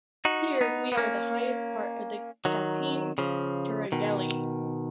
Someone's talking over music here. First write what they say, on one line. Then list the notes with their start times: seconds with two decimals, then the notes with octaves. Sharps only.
Here, we are in the highest part of the Gâtine Tourangelle.
0.25 D#4 F#4
0.61 B3 D#4
0.92 B3
0.98 A#3 C#4
2.45 D#3 F#3
3.18 C#3 F3
3.92 B2 D#3